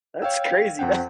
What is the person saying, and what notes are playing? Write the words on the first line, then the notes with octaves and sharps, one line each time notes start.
that's crazy. That
C#5 F5 G5 E6
F2 C4 F#5 G5